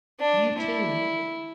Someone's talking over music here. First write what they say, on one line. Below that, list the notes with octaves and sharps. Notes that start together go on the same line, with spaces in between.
You too.
D4
E4